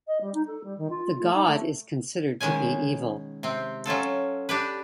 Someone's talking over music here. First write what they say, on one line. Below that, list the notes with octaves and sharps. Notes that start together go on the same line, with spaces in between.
The God is considered to be evil.
D#5
G3
D#4
A4
G3
D#3
F4
F4
A3
D#4
A3
B2 D#3 G#3 C#4 G#5
C3 C4
F#3 C#4 F4 A4
D4 G4 B4